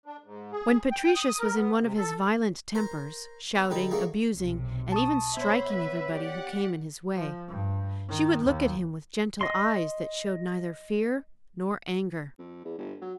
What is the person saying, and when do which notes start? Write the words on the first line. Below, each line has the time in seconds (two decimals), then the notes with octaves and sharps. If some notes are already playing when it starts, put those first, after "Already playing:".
When Patricius was in one of his violent tempers, shouting, abusing, and even striking everybody who came in his way, she would look at him with gentle eyes that showed neither fear nor anger.
0.06 D4
0.24 G#2
0.52 G#4
0.91 G5
1.15 D#6
1.39 A#4
1.55 B3
1.81 C3
1.97 A4
2.75 A#4 C5
3.55 B3
3.70 D3 G3 D#4 B4
3.91 F#3 A3 A#3 D4 G#4
4.32 B1 C3
4.92 A5 C#6 D#6
5.37 B3 C5 C#5 E5 B5
5.70 B4 E5
6.15 G4 D5 F#5
7.16 F3
7.49 G2
8.08 D#3
8.45 D#2
9.41 D#5 C6
12.38 F2
12.65 E2
12.78 G1
13.01 F#3